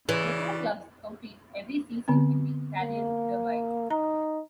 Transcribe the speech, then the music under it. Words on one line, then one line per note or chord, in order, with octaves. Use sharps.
The two clubs compete every season in the Italian Derby.
C#3 E3 D5
D3 B3 C4
A#3
D#4 A#5